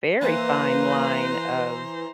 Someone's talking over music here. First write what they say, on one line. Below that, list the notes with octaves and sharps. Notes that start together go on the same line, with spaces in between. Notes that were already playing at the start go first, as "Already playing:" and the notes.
very fine line of
E3 A#3 B4 C5 A#5